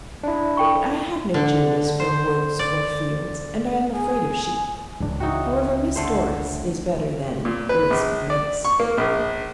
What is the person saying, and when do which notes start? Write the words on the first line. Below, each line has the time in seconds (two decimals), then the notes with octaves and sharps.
"But I have no genius for woods or fields, and I am afraid of sheep. However, Miss Doris is better than--Miss Brace."
0.23 D4 E4
0.57 A4 G5 C#6
1.34 D3
2.00 C5
2.59 D5
3.94 G#4 G#5
5.00 C#2 G#2 E3 D4
5.20 D#4 E4 F#4 E5 G5
5.96 D3 A3 C5
7.45 A#2
7.69 B4
7.90 A#1
8.30 D5
8.65 C#6
8.80 A#3
8.98 A#1